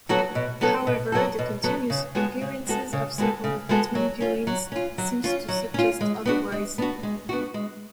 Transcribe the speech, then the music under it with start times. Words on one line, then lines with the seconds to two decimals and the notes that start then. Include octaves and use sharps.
However, the continuous appearances of several Batman villains seems to suggest otherwise.
0.09 F#3 B3 F#4 A4
0.35 B2
0.61 F#3 B3 F#4 A4
0.87 B2
1.12 F#3 B3 F#4 A4
1.39 B2
1.63 F#3 B3 F#4 A4
1.90 C#3
2.15 G#3 B3 F#4 A4
2.41 C#3
2.67 G#3 B3 F#4 A4
2.93 C#3
3.18 G#3 B3 F#4 A4
3.44 C#3
3.69 G#3 B3 F#4 A4
3.95 F#3
4.20 C#4 F4
4.47 F#3
4.72 C#4 F4
4.98 F#3
5.24 C#4 F4
5.48 F#3
5.74 C#4 F4
6.01 G#3
6.26 B3 D4 F#4
6.52 G#3
6.78 B3 D4 F#4
7.03 G#3
7.29 B3 D4 F#4
7.54 G#3